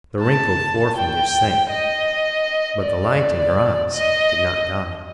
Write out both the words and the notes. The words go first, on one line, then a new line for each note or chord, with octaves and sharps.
The wrinkled forefinger sank, but the light in her eyes did not die.
A5
G5
D#5
D5
D#5